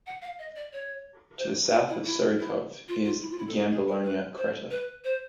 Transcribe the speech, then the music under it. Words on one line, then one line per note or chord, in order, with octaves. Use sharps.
To the south of Surikov is Giambologna crater.
F#5
F5
D#5
D5
C#5
C5
F4
E4
E4
E4
F4
F4
E4
F4
E4
A4
G#4
G#4
A#4
B4
C5
B4
C5